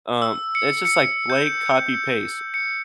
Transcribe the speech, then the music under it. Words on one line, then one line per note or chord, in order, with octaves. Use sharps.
Um, it's just, like, blank, copy, paste,
E6
C#7
C#7
G6
C#7